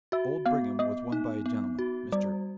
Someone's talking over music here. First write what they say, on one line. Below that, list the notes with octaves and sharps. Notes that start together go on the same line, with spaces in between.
Old Brigham was won by a gentleman--Mr.
F#4 E5
B3 F5
B3 D#5
D#4
B3
F#4
G3 D5